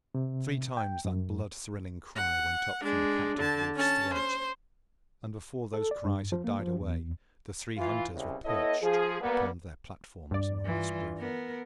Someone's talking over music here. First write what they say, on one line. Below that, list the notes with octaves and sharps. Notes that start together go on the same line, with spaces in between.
Three times that blood-thrilling cry went up from the captive wolf's throat, and before those cries had died away the three hunters were perched upon their platforms among the spruce.
C3
G5
F#2
F#5
G#3 D4
D3 A5
C#4 A5
C5
A4
D5
G2
F3
A#3
F3
E2
E3 F4
C2 C#3
B3 E4 A4 C#5 D#5
F3 G#4
G3 A#3 B3
G2 D5
E3 F4
B3 A#4